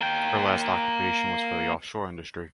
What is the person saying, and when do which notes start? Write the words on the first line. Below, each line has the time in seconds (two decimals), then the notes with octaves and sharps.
Her last occupation was for the offshore industry.
0.01 A#3 G5